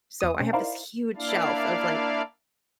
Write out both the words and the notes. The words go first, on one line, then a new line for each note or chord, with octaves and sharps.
So, I have this huge shelf of, like,
E2 D#6
B2 C4 C#4
D#4 E4 A#4 C5 D5 F5
A#3 D4 E4 D5 F5